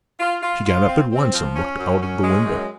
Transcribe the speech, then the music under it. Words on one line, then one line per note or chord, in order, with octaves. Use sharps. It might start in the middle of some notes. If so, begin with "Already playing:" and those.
She got up at once and looked out of the window.
F4
F4
F4
C4
C4
F3
C#4
F#2
C#4
G#3
F#2